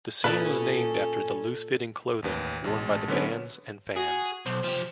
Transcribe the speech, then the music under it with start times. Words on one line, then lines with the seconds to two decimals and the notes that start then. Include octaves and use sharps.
The scene was named after the loose-fitting clothing worn by the bands and fans.
0.24 A#2 C#4 G#4 A4 B4 A5
2.22 A1 D#2 B4
2.64 A1 B2 G#3 A5
3.08 D3 F#3 B3 C#4 B4 C#5
3.96 F#4 G#4
4.46 B1 C5
4.64 F3 G4